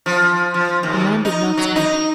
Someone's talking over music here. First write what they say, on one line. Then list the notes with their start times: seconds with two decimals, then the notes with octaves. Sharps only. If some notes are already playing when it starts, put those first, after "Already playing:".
The man did not speak.
0.06 F3
0.54 F3
0.83 D#2
1.25 D#4
1.57 F#3
1.76 D#4